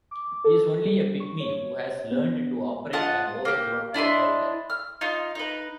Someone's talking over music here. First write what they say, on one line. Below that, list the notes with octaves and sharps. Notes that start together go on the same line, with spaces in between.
He's only a pygmy who has learned to operate an overgrown typewriter.
D6
A4
G3
C#6
C#5
B3
F4 D#5 F#5 A5
A#3 G4
D4 E4 D#5 C6
F6
D#4 F4
D#4 B4